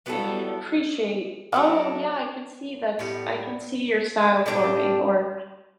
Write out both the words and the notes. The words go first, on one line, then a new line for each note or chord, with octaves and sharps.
and appreciate, "Oh yeah, I can see that's, I can see your style forming," or
F#3 B3 E4 A4
F#3 A3 D4
A2 G3 B3
A2 G3 D4 G4